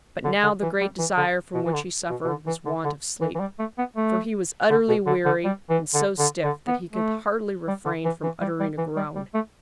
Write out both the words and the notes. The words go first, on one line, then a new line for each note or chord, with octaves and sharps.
But now the great desire from which he suffered was want of sleep, for he was utterly weary and so stiff that he could hardly refrain from uttering a groan.
D3
D3
E3
G3
E3
D3
B2
E3
D3
B2
B2
D3
E3
D3
D3
E3
E3
G3
A3
B3
A3
D3
B2
D3
D3
G3
E3
D3
D3
D3
B3
A3
G3
D3
E3
E3
G3
G3
E3
G3
G3
A3